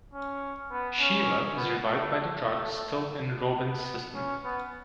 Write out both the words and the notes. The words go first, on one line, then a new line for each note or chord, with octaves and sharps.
Shiva is revived by the drug still in Robin's system.
C#4
B3
C#4
B3
A3
A3
A3
B3
C#4
B3